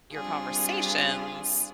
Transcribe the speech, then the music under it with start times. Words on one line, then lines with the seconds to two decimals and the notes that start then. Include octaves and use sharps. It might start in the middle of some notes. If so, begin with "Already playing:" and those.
your conversations
0.12 G3 C4 D4 F4 G#4